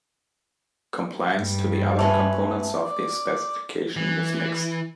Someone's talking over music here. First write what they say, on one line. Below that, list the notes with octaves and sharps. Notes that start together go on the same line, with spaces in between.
Compliance to the other components of the specification was mixed.
G2
D2 C#4 B4 E5 A5
D5
E3